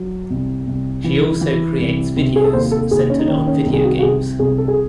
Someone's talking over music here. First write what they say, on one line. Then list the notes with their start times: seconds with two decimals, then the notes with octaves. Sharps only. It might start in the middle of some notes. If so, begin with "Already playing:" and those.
She also creates videos centered on video games.
Already playing: F#3
0.30 C2
0.67 C2
1.04 E3
1.41 E3
1.80 C2
2.16 C3
2.36 G#4
2.44 A4
2.53 D#2 C5
2.72 A4
2.91 D#2 G#4
3.10 C#4
3.19 D#4
3.28 D#3 C#4
3.47 C#4
3.66 C2
3.73 G#4
3.84 F#4
3.99 F#4
4.02 C3 G#4
4.39 C2 G#4
4.58 A4
4.68 G#4